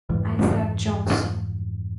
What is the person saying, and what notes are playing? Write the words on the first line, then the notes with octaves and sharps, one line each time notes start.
Isaac Johnson.
F2 G#2 E3 G3